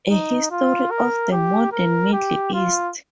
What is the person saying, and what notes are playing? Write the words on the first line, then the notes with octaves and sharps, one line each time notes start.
A History of the Modern Middle East.
D#4
F4
A#4
G4
A#4
G4
F4